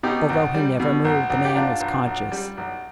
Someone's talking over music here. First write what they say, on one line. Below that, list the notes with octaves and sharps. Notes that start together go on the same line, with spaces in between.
Although he never moved, the man was conscious.
B2 D#4 G4
B1
G3
B2
B1
B1
G4
B1 D4 F4
B1
B1
G3
B1